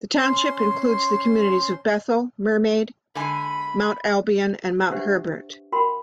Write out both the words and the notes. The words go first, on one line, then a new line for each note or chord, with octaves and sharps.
The township includes the communities of Bethel, Mermaid, Mount Albion and Mount Herbert.
C#4 C5 C6
D3 G#3 G#5 B5
D4 G4 B4 C5 E5 F#5
F#4 A#4 F5 G5 B5 C6